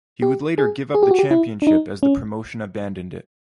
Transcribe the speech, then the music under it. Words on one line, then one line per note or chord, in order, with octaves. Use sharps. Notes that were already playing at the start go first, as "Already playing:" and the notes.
He would later give up the championship as the promotion abandoned it.
G4
G#4
G#4
G4
F#4
G4
E4
D4
D#4
C#4